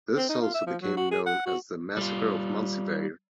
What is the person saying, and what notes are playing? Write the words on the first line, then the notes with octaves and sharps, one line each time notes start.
This also became known as the Massacre of Monzievaird.
C4
D#4
F4
E5
F3
F#3
F#4
G#4
F#5
F#4
G3 F4